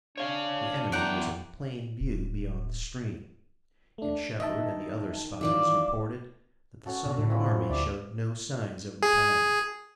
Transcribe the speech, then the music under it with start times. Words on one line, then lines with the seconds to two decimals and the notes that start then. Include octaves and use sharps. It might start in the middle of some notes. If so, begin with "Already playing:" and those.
The enemy was in plain view beyond the stream, and Shepard and the other spies reported that the Southern army showed no signs of retiring.
0.17 D4 C#5 F5
0.92 E2 D5 F#5 G5 A#5
2.01 D1
3.98 A3 D4
4.40 D#3 D#5 E5 A5
5.41 D#3 E3 F4 D5 E5 D6
6.86 C#4 F#4 A4
7.06 B2
7.18 A2
7.30 A#2 E3 C4
7.69 D2 G4 D5 E5
9.02 G#4